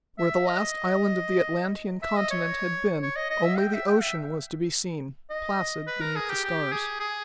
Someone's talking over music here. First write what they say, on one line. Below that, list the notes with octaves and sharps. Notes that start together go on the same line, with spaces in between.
Where the last island of the Atlantean continent had been, only the ocean was to be seen, placid beneath the stars.
E5
D#5
E5
D#5
C#5
C#5
D#5
D#5
E5
G5
E5
G5
E5
D#5
B4
A#4
G#4
G4
G4
G#4
G#4